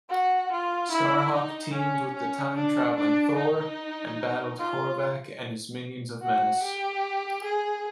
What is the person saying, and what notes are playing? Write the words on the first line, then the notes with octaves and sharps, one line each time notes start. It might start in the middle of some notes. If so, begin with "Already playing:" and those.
Starhawk teamed with the time-traveling Thor, and battled Korvac and his Minions of Menace.
F#4
F4
E4
D#4
C#4
C#4
D4
D4
D#4
F4
F#4
G4
G#4